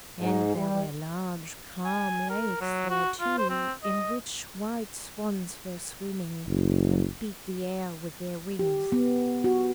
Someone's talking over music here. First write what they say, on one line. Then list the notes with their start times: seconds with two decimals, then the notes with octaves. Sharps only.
And there were large calm lakes there too, in which white swans were swimming, and beat the air with their wings.
0.21 G#2
0.56 G3
1.85 G#5
2.30 A#4
2.61 F#3
2.90 F#4
3.20 F4
3.38 C5
3.50 C4
3.84 D#5
6.47 F#1
8.59 G4
8.92 B3
9.44 F#4